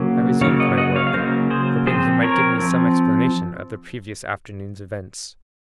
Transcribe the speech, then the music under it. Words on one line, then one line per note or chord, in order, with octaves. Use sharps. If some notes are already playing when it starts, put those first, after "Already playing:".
I resumed my work, hoping he might give me some explanation of the previous afternoon's events.
Already playing: C#3 F#3 A#3
C#3 F#3 A#3 C#5 F5
D#5 F#5
D#5 F#5
C#5 F5
F5
C#3 F#3 A#3 C5 D#5
G#4 C5
F3 C4 G#4 C5
A#4 C#5
F3 C4